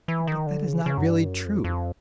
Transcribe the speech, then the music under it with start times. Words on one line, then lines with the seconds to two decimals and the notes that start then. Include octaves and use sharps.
But that is not really true.
0.08 E3
0.27 D#3
0.47 D3
0.67 C#3
0.86 C#3
0.97 F#2
1.06 G2
1.25 F#2
1.45 F2
1.64 F2